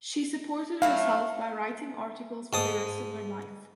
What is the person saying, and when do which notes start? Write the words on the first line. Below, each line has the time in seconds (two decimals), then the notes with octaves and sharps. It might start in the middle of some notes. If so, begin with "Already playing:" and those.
She supported herself by writing articles for the rest of her life.
0.82 F#3 A3 E4 F5
2.53 G#2 A5 D#6